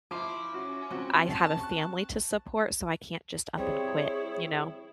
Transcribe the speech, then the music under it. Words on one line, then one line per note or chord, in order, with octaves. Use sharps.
I have a family to support, so I can't just up and quit you know?
F3 E4 C6 D6
C#4 F#4
F2 C4 F#4
A5
C#6 F#6
G3 C4 E4 G#4 C#5